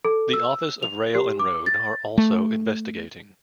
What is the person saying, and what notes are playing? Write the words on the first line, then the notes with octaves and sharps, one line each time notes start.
The Office of Rail and Road are also investigating.
A4
E6
F7
G4
D6
A6
A3